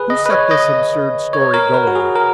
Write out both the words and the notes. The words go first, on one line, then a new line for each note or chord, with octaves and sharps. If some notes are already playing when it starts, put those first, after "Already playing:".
"Who set this absurd story going?"
Already playing: G#4 B4
D#5
B4
C#5
D#5
C#5
A#4
B4
F#4
G#4
A#4